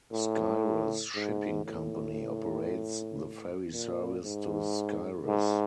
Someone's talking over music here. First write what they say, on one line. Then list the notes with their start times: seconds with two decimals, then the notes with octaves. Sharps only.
Skyros Shipping Company operates the ferry service to Skyros.
0.11 A2
1.15 G#2
1.65 A2
3.72 A#2
4.23 G#2
5.27 G#2